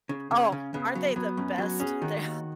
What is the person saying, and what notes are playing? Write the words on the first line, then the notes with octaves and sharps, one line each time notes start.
Oh, aren't they the best? They're
C#3
C#3 C#4
C#3
C#3 B3
F#3
F#3 B3
F#2 C#4
F#3 F#4
C#4 G#4
D#3 F#4
D#2